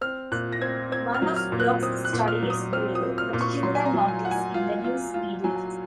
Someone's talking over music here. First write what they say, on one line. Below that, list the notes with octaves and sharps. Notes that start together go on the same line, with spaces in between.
One of Block's studies drew particular notice in the news media.
C4 F6
A#2 F#6
A#6
C4 G#6
C4 G#6
F6
F#3
F6
A#2
F#6
C4 D#6
F#6
A#2
F6
F#3
D#6
C4 F6
D#6
C4
F6
A#2
C#6
F#3 C6
G#5
A#5
F#3
G#5
F4 F#5
G#5
F4
F4
F4
F#3 G#5